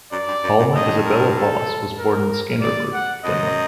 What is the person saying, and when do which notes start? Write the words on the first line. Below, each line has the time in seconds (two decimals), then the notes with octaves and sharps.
Alma Isabella Bosse was born in Skanderborg, Denmark.
0.12 F#2 D5
0.28 G2
0.43 F#2
0.59 F#2
0.75 G2 D#5
1.05 A#4
1.37 A4
1.99 A#4
2.61 D5
2.94 F#5
3.24 F#2 D#5